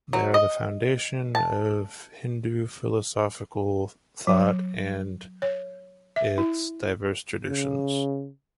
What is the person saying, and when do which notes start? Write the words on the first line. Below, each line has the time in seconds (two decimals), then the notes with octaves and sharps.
They are the foundation of Hindu philosophical thought and its diverse traditions.
0.13 F#3
0.34 D#5
1.35 A5
4.27 F#3
5.42 C#5
6.16 E5
6.38 E4
7.49 C#3